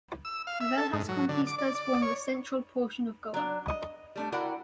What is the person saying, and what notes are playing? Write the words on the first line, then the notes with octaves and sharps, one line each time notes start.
The Velhas Conquistas form the central portion of Goa.
E6
F5
E5
A4
G#2
F#3
D3
D6
D5
D5
C#5
F#3 D4
D#5
G3 A3 D4
E4 F#4 A#4 D5 F#5 G5